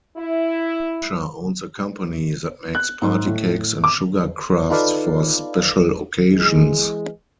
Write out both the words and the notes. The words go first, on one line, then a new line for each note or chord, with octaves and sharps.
Asher owns a company that makes party cakes and sugar crafts for special occasions.
E4
F#6
G#2
A2
D6
D#4 F4 A4 B4 D5 F5
E3 G#3